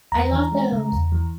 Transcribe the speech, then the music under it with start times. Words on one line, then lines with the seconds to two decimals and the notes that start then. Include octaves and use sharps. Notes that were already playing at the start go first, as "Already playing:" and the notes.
I love those.
0.12 E2 A#5
0.32 E3
0.52 G#3
0.72 C#3
0.92 E2
1.12 E3